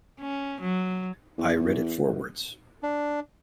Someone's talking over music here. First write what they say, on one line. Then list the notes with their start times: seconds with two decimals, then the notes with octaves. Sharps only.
I read it forwards.
0.21 C#4
0.61 F#3
1.38 E2
2.83 D4